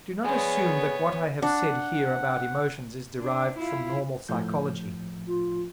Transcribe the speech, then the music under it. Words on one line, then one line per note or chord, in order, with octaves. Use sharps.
Do not assume that what I have said here about emotions is derived from normal psychology.
B3 G#4 C#5 D5 G#5
D4 F#5
D4
E4 F4
A2 F3 G6
F4